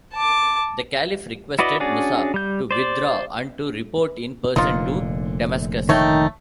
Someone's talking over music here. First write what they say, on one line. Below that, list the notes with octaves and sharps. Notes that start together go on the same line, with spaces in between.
The Caliph requested Musa to withdraw and to report in person to Damascus.
A5 D6
E4 F#4 B4 D5 D#5
C#4 D4 F#4 G#4 D5
G3 G6
C5 D5
F1 A#2 D3 D#4 F4
D#3 A3 D#4 C#5 G5